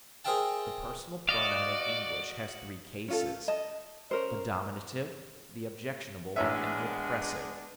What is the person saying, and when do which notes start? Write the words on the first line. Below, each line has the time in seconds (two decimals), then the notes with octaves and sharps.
The personal pronoun in English has three cases, the dominative, the objectionable and the oppressive.
0.25 G#4 A#4 C5 E5 G5 A5
1.29 F#4 D5 D#5 F5
3.08 C#4 F4 A4
3.48 D#5 A5
4.11 C#4 A#4 C5
6.36 A1 G#3 B3 D4 C#5 E5